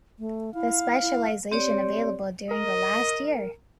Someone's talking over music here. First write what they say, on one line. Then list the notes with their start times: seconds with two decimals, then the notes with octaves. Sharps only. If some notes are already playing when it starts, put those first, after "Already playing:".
The specialization available during the last year.
0.19 A3
0.54 E4 F5
1.01 E4
1.52 C4 G4 C#5 D5
2.51 A#4 D#5